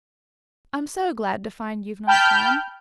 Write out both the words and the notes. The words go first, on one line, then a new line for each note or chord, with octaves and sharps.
"I'm so glad to find you've not gone."
G5 A5 B5 F6 G6